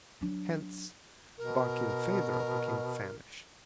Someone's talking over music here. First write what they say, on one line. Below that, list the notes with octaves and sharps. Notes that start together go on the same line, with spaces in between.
Hence Barkilphedro became famished.
F#3 D4
B2 A#4